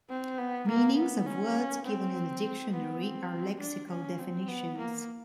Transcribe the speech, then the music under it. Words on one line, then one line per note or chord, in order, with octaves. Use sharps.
Meanings of words given in a dictionary are lexical definitions.
C4
B3
A#3
B3
C#4
C4
B3
C4
D4
C#4
C4
B3
A#3